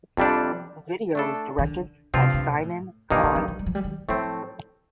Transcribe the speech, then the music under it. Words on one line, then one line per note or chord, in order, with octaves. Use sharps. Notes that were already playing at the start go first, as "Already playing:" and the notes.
The video was directed by Simon Cahn.
F2 C3 F3 G3 D4
A3 D4 A4
D#3
D3
G2 C3 F3 C4 F4
D3
C3
A#2
A2
G2 A#2 D#3 A#3 D#4
D3
F3
F3
G3
F3
G3
D#3
A2 F3 A3 C4